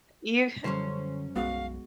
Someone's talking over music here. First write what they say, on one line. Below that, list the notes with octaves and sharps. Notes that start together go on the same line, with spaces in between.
you c
F#2 D3 F3 G3 C#4 A4 C5
B1 G#3 B3 F#4 F5